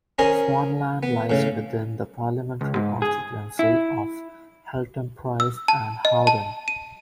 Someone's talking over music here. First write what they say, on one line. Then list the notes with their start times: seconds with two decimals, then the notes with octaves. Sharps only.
Swanland lies within the Parliamentary constituency of Haltemprice and Howden.
0.19 C#4 G#4 A#4 C5 D#5
1.03 B3
1.30 A2 C#3
2.61 C#2
2.76 G#2
3.02 G#4
3.59 E4
5.40 E6
5.68 A5
6.05 D#5
6.27 A5
6.68 D#7